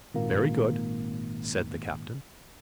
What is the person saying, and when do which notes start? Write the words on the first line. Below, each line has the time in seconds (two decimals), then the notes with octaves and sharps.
"Very good," said the captain.
0.14 G#1 A#2 A#3